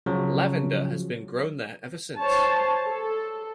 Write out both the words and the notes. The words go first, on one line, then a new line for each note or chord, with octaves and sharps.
Lavender has been grown there ever since.
C#3 F3 F#3
C5 C#5 A5
A4